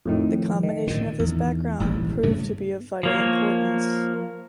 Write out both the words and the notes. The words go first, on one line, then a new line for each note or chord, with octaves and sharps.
The combination of this background proved to be of vital importance.
F2 A2 D#3
D#3
A2 D3
E2
D#1 A1 G#2
G2 C#3 A3
F3 A#3 C#5